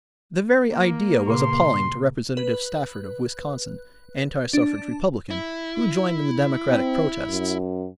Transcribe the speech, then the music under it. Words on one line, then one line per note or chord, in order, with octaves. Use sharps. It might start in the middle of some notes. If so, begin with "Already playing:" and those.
The very idea was appalling to Representative Stafford of Wisconsin, anti-suffrage Republican, who joined in the Democratic protests.
A#3
A#2 C#3 C6
B4
D4
E4
C4
F#2